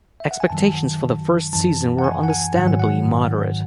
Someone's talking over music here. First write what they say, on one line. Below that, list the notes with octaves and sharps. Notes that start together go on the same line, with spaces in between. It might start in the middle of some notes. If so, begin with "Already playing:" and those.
Expectations for the first season were understandably moderate.
E5
F#5
G#5
F#2 D#3 F#3 A5
F#2 E3 A5
F#5
G#5
F#5
G#5
G#2 D#3 F#3 F#5
G#5
F#5